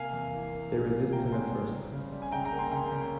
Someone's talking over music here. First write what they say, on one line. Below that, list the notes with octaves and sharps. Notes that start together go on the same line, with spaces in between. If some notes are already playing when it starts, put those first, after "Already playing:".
They resist him at first.
Already playing: C3 A#3 F5 G#5
E2
E3
A#3
C2
G3
C2 G5 A#5
G3 G#5 C6
G3
C#3
C#3
G3
G#5
C#2 G5 A#5
G5 A#5
A#3
G#5 C6
C#2 G5 A#5
C#3